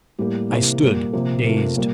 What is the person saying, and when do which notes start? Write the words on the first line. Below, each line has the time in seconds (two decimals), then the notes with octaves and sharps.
I stood dazed.
0.18 A2 G3 A#3 G4
0.50 C3 E3 A#3
0.82 A#2 G3 A#3
1.13 C3 F3 A#3
1.44 C3 F3 A3 A#4
1.76 A#2 G3 A#3